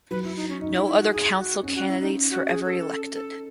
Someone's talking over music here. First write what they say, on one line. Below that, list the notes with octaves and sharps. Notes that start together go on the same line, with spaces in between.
No other Council candidates were ever elected.
F#3 B4
E4
D#4
C#4
D#4
E4
E4
F#4
G#4
F#4
C#4
F#4
E4
D#4
F#4
G#4
A4
A4